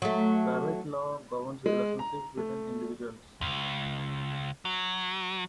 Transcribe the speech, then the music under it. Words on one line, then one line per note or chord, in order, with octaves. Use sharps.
Private law governs relationships between individuals.
F#3 A3
G#3
A#5
A3
C#2
F#3